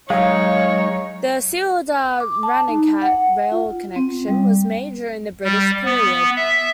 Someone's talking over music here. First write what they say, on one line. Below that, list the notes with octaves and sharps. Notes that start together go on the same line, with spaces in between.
The Sealdah-Ranaghat rail connection was made during the British Period.
F#3 G#3 D#4 C#5 F5
D6
A5
D#4
F#5
F4
C4
G3
G3
B3
E5